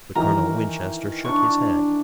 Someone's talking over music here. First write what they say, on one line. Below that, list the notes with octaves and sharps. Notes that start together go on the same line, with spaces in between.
But Colonel Winchester shook his head.
D#3 E3 A#4 G5 A#5
D4 D5 C#6